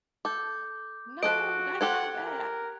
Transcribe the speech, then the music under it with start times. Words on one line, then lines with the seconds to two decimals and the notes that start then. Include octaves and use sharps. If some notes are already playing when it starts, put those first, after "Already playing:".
No, that's not ba
0.25 A4 D6 G6
1.23 F3 F#4 A4 D#5 F#6 D7
1.81 G4 A4 C5 F#5 G#6
2.24 A#4